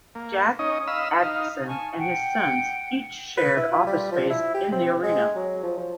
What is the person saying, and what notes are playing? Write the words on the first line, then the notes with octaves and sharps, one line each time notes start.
Jack Adkisson and his sons each shared office space in the arena.
A#3
C#4 D#4 D#5
D#5 F5 B5 E6
D#4 F5
G#5 A5 C#6
F#5 G5
B4
E4
F4
G3
F3
E4
G4
C4
G#3
F#3
F3
F3